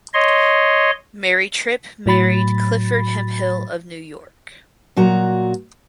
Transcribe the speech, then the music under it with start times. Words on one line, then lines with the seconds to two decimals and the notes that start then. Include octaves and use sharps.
Mary Tripp married Clifford Hemphill of New York.
0.14 C#5 D#5 C6
2.06 A2 F#3 B5 A6
4.96 A#2 F#3 F#4 A#5